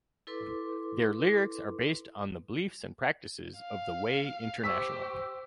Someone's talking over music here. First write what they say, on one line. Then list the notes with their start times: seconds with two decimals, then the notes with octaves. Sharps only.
Their lyrics are based on the beliefs and practices of The Way International.
0.27 E4 A4 B4 C6 D6
3.58 F5
4.64 G4 C5 C#6 E6 B6